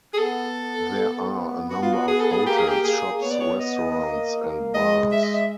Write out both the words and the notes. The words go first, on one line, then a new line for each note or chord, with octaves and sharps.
There are a number of hotels, shops, restaurants, and bars.
G#4
B3 A4
B3 F#4
F4
F#4
G#4
A4
G#4
A#3 G4
G#4
G4
A#3 G#4
B3 C#5
D5
C#5
D#5
A#3
G#3 D#5
E5
D#5
E5